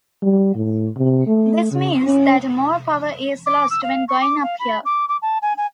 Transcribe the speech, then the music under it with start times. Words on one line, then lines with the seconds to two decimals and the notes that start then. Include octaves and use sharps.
This means that more power is lost when going uphill.
0.22 G3
0.55 A2
0.97 C3
1.27 A3
1.71 C#3
2.05 C#4
3.46 D6
3.70 E6
3.83 F5
4.08 C#6
4.21 D6
4.42 F5
4.59 B5
4.85 D6
5.08 D6
5.22 A5
5.42 G#5
5.57 G#5